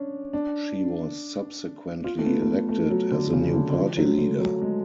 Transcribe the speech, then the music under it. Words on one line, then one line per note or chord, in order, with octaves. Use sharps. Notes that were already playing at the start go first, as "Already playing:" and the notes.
She was subsequently elected as the new Party Leader.
Already playing: C#4 D4
D4
F4
A3
B3
A3
B3
A3
F#3
D3
C#3
D3
D3
F3
F#3
A3
F#3
G#3